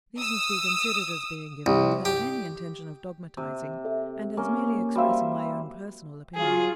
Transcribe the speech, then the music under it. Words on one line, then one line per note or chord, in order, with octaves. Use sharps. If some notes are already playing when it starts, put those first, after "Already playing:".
These must be considered as being given without any intention of dogmatizing, and as merely expressing my own personal opinion.
D#6 E6
C2
G4
C3
A4 E5
A#3 C#4
G3 F#4 C5 E5 F5
F#3 F4 G#4